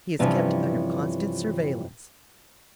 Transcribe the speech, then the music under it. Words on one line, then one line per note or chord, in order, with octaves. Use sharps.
He is kept under constant surveillance.
G2 C3 E3 F3 C#4